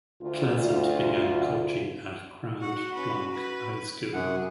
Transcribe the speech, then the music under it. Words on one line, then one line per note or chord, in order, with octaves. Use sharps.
Pleasant began coaching at Grand Blanc High School.
D2 F4
F#4 F#5
C#4 B4
B4
F#2 C3 G#4 F#5